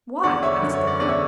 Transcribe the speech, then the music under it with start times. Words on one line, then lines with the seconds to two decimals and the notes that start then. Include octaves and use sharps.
'Why?' asked the ranee.
0.23 E2 D3 D5 F#5
0.43 C#5 E5
0.61 F#2 D3
0.74 C#5
0.87 D5
0.99 E2 D3 D5
1.09 C#5 E5